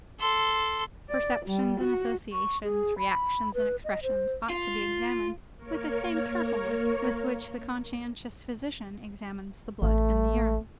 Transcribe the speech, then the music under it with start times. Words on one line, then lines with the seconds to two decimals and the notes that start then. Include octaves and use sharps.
Perceptions and associations, reactions and expressions ought to be examined with the same carefulness with which the conscientious physician examines the blood and the urine.
0.19 A4 C6
1.10 D5
1.45 G3
1.81 F#4
2.33 C#6
2.64 G#4
2.98 B5
3.54 B4
3.85 D#5
4.03 C5
4.50 F4
5.55 A#3 A#4 C#5
9.82 A1 A3